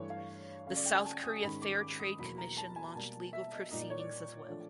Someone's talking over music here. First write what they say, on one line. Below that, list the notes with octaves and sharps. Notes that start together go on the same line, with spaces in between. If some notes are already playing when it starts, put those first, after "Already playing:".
The South Korea Fair Trade Commission launched legal proceedings as well.
Already playing: G2 E3 A3 D4 C#5
F5
C#3 F#3 A3 C#4 F5
D5
G5
G#5
A5
D#6
G#2 D#3 G#3 C#4 B5
D6
D6
D#6
E2 B2 F#3 A#3 B5
A#5
A5
G#5
B2 G3 A#3 A5
E5
D#5
A#2 G3 A#3 D#4 D#5
D5
C#5
D5
F3 A3 D4